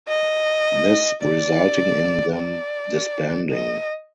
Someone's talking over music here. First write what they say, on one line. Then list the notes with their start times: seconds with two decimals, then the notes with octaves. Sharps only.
This resulting in them disbanding.
0.09 D#5
1.23 D5
2.37 D5
3.52 D#5